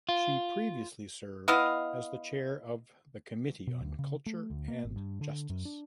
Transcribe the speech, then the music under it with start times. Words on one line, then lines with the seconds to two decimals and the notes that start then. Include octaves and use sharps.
She previously served as the chair of the Committee on Culture and Justice.
0.09 F4
1.48 B3 E4 D#5 F5
3.67 B2
3.81 D2
3.99 C#3
4.26 A3
4.50 D2
4.68 A#3
4.83 G#1
4.96 G2
5.21 D3
5.50 F#2
5.65 D4